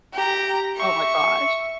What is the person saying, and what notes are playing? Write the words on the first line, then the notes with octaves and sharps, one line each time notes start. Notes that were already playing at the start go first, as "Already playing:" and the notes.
Oh my gosh.
G4 A#5
E5 C#6